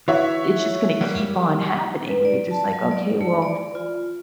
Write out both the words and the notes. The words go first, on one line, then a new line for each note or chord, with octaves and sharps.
it's just gonna keep on happening where you're just, like, "Okay, well,
E3 F#4 C#5 E5
F#3 G3 A#3
B4
D5
A5
F#3
D5
A3
D5
F4